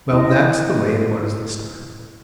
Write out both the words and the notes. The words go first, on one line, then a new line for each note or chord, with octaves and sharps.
Well, that's the way it was this time.
C#3 E4 D#5